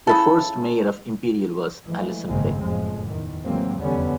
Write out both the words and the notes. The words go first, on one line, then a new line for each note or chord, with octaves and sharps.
The first Mayor of Imperial was Allison Peck.
C#3 E4 A4
E3 F3 G#3 A3
G#1 F#2 C#3 G#3 A#3 C4
F#1 F2 A2 F3 G#3
E2 D#3 E3
A1 E3 F#3 G#3 A#3 C4
F1 E2 D3 G3 B3 C#4